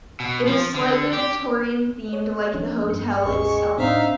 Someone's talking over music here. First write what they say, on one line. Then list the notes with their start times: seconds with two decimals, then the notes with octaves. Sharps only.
It is slightly Victorian themed, like the hotel itself.
0.20 B2
0.47 F3
0.74 D3
1.13 G4
2.09 C#5 D#5
2.54 F3 C#4 D4
2.87 G2 G6 C#7
3.23 A1 E2 G#3 C#4 C#6
3.78 A2 C4 D4 D#4 C5 E5 F5